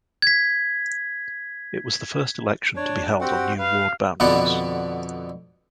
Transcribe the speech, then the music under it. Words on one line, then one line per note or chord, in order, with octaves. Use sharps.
It was the first election to be held on new ward boundaries.
G#6 B6
D4 C#5
C4 F#4 G4 F#5
B4 F5
F2 B2 D3 B3 D5 F#5